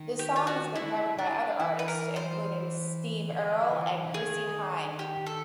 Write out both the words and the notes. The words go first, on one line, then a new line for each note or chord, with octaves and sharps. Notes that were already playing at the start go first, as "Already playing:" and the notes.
The song has been covered by other artists, including Steve Earle and Chrissie Hynde.
Already playing: D#3
G4
F4
F#4
D3 E4
D3 D4
E3 E4
B4
A#4
C5
D3
F3
E3
D3
D#3 G#4
G4
A4